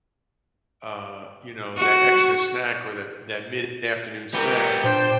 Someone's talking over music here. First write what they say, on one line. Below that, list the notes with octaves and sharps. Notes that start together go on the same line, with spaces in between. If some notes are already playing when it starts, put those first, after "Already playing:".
uh, you know, that extra snack or that that mid-afternoon snack,
F#4
B3 G4 A#4 G6
A#2 D4 C5 G5